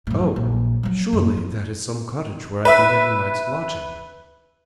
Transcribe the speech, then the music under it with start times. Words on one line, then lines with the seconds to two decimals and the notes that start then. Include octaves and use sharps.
"Oh. surely that is some cottage where I can get a night's lodging!"
0.07 F#2 A2
0.36 A#1
0.83 F3 F#3
1.13 F#2 A#3
1.37 F3
2.65 B4 E5